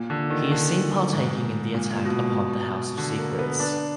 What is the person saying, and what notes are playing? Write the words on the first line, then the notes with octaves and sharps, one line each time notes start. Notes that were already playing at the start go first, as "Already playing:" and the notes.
He is seen partaking in the attack upon the House of Secrets.
Already playing: A#2
D3
D#3
D3
G#2
A#2
B2
D3
A#3
B3
D4